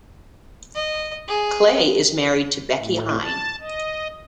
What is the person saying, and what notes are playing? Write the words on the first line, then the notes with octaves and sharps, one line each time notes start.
Clay is married to Becki Hine.
D#5
G#4
A2
A5
D#5